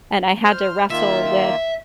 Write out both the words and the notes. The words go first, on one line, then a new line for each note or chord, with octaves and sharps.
and I had to wrestle with
C5 F6
D#3 A#3 F4 E5